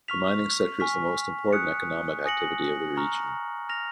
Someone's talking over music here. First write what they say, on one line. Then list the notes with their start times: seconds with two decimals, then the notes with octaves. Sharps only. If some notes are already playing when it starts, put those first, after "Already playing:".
The mining sector is the most important economic activity of the region.
0.08 C#6 F6 B6 F7
0.80 G#5 C#6 F6 B6
1.53 D#6 F#6 C#7
2.25 G#5 D#6 A#6 C#7 F#7
2.97 A#5 C#6 F6
3.69 F6 A#6 F7